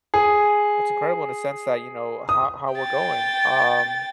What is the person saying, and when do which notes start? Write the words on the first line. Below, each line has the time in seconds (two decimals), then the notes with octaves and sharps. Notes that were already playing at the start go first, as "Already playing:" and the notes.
It's incredible in a sense that, you know, ho how we're going, um,
0.14 G#4
2.29 D#6
2.74 G5 A6